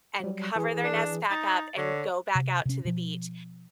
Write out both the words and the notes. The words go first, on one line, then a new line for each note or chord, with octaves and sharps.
and cover their nest back up and go back out to the beach,
F#3 G3
E3 G#4
D4
D#4 A6
D3 C#5
C3
C3 C#4
B2 F3